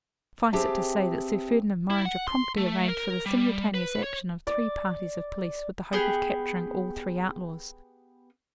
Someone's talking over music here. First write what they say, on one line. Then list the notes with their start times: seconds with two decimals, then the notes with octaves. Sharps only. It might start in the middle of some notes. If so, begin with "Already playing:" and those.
Suffice it to say that Sir Ferdinand Morringer promptly arranged for the simultaneous action of three parties of police with the hope of capturing all three outlaws.
0.53 C4 G4 G#4 B4 E5 A5
1.90 E4
2.05 F#5
2.27 C6
2.57 A3
2.88 A#4
3.26 G3
3.74 B4
4.03 C#5
4.47 D5
5.93 B3 G4 G#4